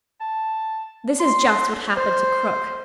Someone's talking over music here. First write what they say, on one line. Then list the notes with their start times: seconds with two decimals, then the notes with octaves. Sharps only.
This is just what happened to Krook.
0.21 A5
1.20 C6
1.97 C5